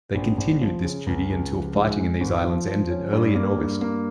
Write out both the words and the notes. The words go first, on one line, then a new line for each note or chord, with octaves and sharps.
They continued this duty until fighting in these islands ended early in August.
A#1
A#1
F3
C#3
C#2
C#2
F3
G#2
G#3
G#1
F3
F3
C#4
G2
A#3
G2
A#3